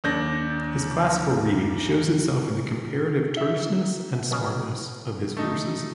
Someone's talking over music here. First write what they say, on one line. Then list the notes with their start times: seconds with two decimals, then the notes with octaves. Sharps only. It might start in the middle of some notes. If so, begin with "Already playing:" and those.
His classical reading shows itself in the comparative terseness and smartness of his verses.
0.04 D#2 D4 G6 A#6
3.37 E5
4.31 B2 B3 C#4
5.37 A3 D#4